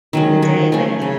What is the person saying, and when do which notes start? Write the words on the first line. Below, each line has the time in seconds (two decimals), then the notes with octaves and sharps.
of the day, like,
0.13 D#3 F#3 C#4
0.42 D#3
0.72 A3 C#4
1.02 C#3